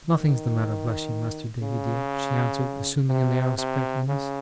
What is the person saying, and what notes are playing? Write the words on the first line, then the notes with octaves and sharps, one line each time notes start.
'Nothing's the matter, bless you, Master Davy dear!' she answered, assuming an air of sprightliness.
D#3
C#3
C3
C3
C#3